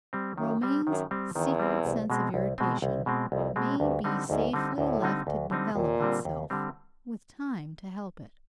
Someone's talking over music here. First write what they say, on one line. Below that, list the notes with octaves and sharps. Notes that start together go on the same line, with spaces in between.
Romayne's secret sense of irritation may be safely left to develop itself, with time to help it.
G3 C4
F#2 D#3
G3 C4
F#2 D#3
G3 C4
E2 D#3
G3 C4
C2
B2 G#3 C4
C2
B2 G#3 C4
C2
B2 G#3 C4
C2 F2
B2 G#3 C4
D2 G2
D3 G3 C4 D#4
D2 G#2
D3 G3 C4 D#4
D2 A2
D3 G3 C4 D#4
D2
D3 G3 C4 D#4
D#2 A#2
D3 G3 C4
D#2
D3 G3 C4